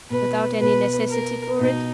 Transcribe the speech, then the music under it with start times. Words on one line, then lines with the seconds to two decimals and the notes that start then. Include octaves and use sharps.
"Without any necessity for it?"
0.10 B2 B4
0.60 B2 B4
1.09 A#4
1.59 B2 D#4